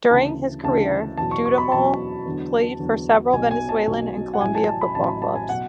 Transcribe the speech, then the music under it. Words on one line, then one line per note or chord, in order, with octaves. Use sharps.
During his career, Dudamel played for several Venezuelan and Colombian football clubs.
D2 C#3 E3 A5
D2 C#3 E3 A5
E2 B2 F#3 A5
C#6
C#6
B5
E2 B2 F#3 A5
E2 D3 F#3
E2 D3 F#3
B1 B2 F#3 G#5
G#5
A5
B1 B2 F#3
F#5
A1 A2 F#3 G#5
A5
A5
B5
A1 A2 F#3 A5
B5
A5
G#5
B2 F#3 F#5